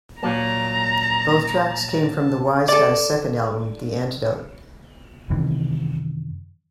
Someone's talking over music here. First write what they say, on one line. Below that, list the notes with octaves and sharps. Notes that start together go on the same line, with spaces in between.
Both tracks came from The Wiseguys second album, "The Antidote".
A#2 F#3 A#3 A5 A#5
A4 D5
F#2 C3 D#3 E3